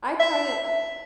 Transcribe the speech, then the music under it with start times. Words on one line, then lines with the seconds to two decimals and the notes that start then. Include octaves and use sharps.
I tried it
0.20 E5